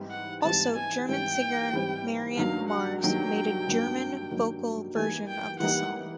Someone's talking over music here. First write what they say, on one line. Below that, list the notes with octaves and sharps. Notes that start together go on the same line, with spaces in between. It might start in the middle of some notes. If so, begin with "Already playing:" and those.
Also German singer Marion Maerz made a German vocal version of the song.
Already playing: G#2 E3 G3 C4
F#5
G#2 E3 G3 C4 A5
G#5
G#2 E3 G3 C4 G5
G#2 E3 G3 C4
G2 D#3 F#3 A#3 F5
F#5
G2 D#3 F#3 A#3 G5
G2 D#3 F#3 A#3
G2 D#3 F#3 A#3
E3 G3 A#3 D#4 G#5
G5
E3 G3 A#3 D#4 F#5